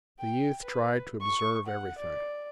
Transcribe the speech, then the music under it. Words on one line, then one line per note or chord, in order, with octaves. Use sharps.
The youth tried to observe everything.
G5
B4
C#6
F#5
D5